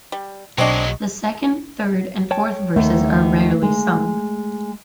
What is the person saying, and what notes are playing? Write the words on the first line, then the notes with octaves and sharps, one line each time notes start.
The second, third and fourth verses are rarely sung.
G3
B1 F#3 G#3 C4 D4 F#4 D#5
C#5 G5 A5
D#2 D#3 A3 F#5
G#3